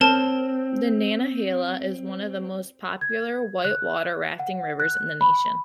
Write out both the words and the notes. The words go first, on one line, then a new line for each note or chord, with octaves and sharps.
The Nantahala is one of the most popular whitewater rafting rivers in the nation.
C4 A#4 C#5 A5
G#6
F#6
F#5
F#6
B5